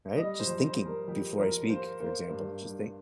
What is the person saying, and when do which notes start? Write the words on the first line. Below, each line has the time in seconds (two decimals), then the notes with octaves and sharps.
right? Just thinking before I speak, for example, just think
0.16 G3 D#5
0.39 C5
0.47 F2
0.61 C5
0.78 G3
0.85 A#4
1.08 F2 G4
1.38 F2 A#4
1.69 A#3 C5
2.00 A#3 C5
2.30 G2
2.62 G2